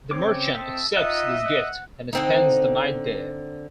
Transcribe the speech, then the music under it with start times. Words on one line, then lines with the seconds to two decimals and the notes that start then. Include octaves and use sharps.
The merchant accepts this gift and spends the night there.
0.11 C#3 C4 C#5 D6
0.55 A4 D#5 E5
0.97 D#4 F4 D#5 E5 F#5
1.46 F#5
2.13 D3 C4 D#4